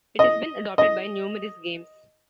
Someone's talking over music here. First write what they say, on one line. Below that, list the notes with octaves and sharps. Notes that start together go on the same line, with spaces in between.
It has been adopted by numerous games.
D#5
D#5